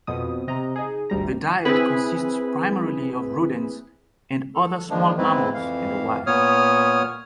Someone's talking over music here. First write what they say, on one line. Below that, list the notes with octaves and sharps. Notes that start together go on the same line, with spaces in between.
The diet consists primarily of rodents and other small mammals in the wild.
F2 B2 D#6
C3 D#5 A#5
D#4 G#4
G#1 D2 G3 A#5
C4 E4 G#4 B4
A4
D#3 F3 G#3 A#3 D4
E2 G#2 G#3 C4 E4 B4
F2 E3 F5
A#2 B3 C#5 D#6 F6